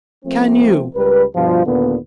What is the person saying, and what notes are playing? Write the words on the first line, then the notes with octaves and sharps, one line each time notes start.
"Can you?"
F3 A3 A#3 C4
C#2 G3 A#4 B4
G2 B2 F3 G3 F4 C5
D#2 A#2 D3 B3